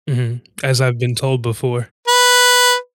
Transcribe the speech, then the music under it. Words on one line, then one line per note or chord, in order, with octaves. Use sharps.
Mhm. As I've been told before.
B4